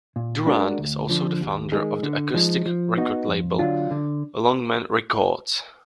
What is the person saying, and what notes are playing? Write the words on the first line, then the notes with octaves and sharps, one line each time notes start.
Durrant is also the founder of the acoustic record label LongMan Records.
A#2
G#3 D4 F#4 A#4
D2
D3 F3
D#2
D#3 G#3 D#4 G#4
D3
F3 G#3 D#4
F3
B3 D#4 F#4
F2
D3 F#3 D4 F4
D3